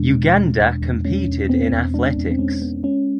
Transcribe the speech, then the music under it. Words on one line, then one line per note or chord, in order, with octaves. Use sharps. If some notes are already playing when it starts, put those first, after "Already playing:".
Uganda competed in athletics.
Already playing: E2 B2 G#3 D4
B2
E2
E2
E2
G#3 C#4
E2
B3 C4
E2
G#3 D4
E2
C4
G#3 C#4
B3
G#3 C#4